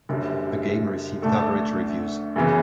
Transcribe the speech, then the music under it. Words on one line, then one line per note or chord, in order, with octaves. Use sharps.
The game received average reviews.
F#1 F#2 D3 G3
D2 D3 A3 D4 A4
F#2 C#3 E3 B3